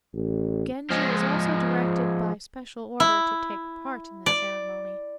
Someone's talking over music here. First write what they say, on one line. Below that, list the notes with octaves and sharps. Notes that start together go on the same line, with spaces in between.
Genji was also directed by special order to take part in the ceremony.
A1
F3 G#3
E4
D5